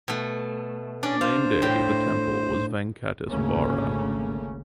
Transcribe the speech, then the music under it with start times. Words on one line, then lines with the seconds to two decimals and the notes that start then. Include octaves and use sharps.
The main deity of the temple is Venkateswara.
0.08 B2 A3
1.03 C#4 D4 D5
1.21 C5 F5
1.62 A2 G5
3.29 G#1 D2 C#3 A3 A#3 C#4